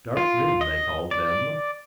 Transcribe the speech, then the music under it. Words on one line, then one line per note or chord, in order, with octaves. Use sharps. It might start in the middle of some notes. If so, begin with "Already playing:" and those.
Dark men they call them.
F4
D#5
D5